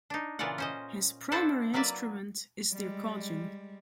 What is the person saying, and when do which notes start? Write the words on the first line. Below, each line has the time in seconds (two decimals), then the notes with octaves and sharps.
His primary instrument is the accordion.
0.10 D4 D#4
0.39 A#2 C#3 E3 F4 D5 F#5
0.58 C#4 C5 D#5
1.32 D4 E4 A4 C5 F#5 A5
1.74 F#3 A#3 B4 D5 E5
2.72 G3 G#3